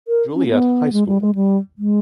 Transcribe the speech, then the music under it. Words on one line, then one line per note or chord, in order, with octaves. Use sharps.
Juliet High school.
A#4
C#4
A#3
B3
G#3
G3
G#3
G3
G#3